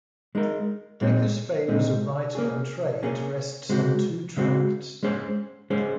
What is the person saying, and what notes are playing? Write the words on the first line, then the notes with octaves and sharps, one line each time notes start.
Decker's fame as a writer on trade rests on two tracts.
G#3 D#4 A#4
A#2 G#3 C4 D#4
A#2 G#3 C4 D#4
A#3 C#4 G#4
A#3 C#4 G#4
C#3 G#3 C4 F#4
C#3 G#3 C4 F#4
G#3 C#4 G#4 C5
G#3 C#4 G#4 C5